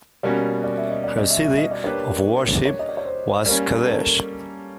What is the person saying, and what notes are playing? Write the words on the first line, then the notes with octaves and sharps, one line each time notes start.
Her city of worship was Qadesh.
B2 G3 A#3 C#4 F#4 C#5
D5
E5
D#5
D5
D#5
E5
E5
D#5
D5
A#3 D4 G4 B4 C#5
C#5
D#5
D5
C#5
C5
G3 A#3 C#4 A#4
A#4
A4